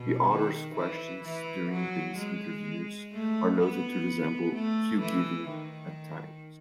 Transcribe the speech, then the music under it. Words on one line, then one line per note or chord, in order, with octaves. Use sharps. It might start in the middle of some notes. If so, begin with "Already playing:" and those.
The author's questions during these interviews are noted to resemble "cue-giving" at times.
Already playing: B2
D#3
E3
E3
F#3
G#3
A3
B3
A3
E3
D#3